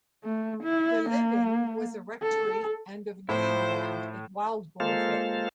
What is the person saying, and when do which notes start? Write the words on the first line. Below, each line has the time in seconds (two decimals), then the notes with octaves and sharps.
The living was a rectory and of glebe land at Wildmoor Fen.
0.25 A3
0.63 E4
1.09 A#3
2.22 A4
3.29 A2 F3 E4 C5
4.80 G#3 A#3 F4 A4 C5 F5